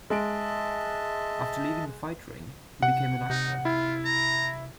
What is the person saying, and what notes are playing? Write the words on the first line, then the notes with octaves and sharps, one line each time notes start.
After leaving the fight ring, he became an actor.
G#3 D#5 E5 A5 D7
C3 F#5
C3 D#4
E4 F4
A#5